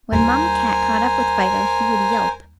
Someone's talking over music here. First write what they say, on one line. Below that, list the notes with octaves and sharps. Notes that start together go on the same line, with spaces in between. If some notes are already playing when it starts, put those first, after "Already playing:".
When Mamma Cat caught up with Fido he would yelp.
D#2 G3 A#4 C5 G#5